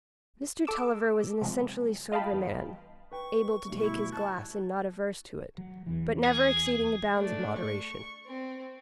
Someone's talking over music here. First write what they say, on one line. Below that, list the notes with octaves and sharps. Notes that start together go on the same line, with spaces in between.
Mr. Tulliver was an essentially sober man,--able to take his glass and not averse to it, but never exceeding the bounds of moderation.
A4 D6 E6
C3 F3 F#3 G#3
F4 D#5 F5 G5 A5 B5
E2 G2
B4 G5 C#6
D2 G2 B2
E4
A5 F#6
F#3
E2 E3
G#4
A3 D4
C#6
C4